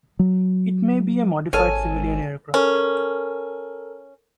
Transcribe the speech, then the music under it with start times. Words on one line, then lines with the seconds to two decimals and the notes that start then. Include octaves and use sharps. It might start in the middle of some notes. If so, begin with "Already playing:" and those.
It may be a modified civilian aircraft.
0.19 F#3
1.53 G#1 A4 C#5 G#5 F6
2.54 C#4 A4 A#4